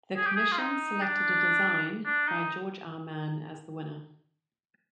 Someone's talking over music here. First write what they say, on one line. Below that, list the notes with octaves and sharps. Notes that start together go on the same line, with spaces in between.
The commission selected a design by George R. Mann as the winner.
G#4
G4
G#4
F4
D#4
D4
D4
D#4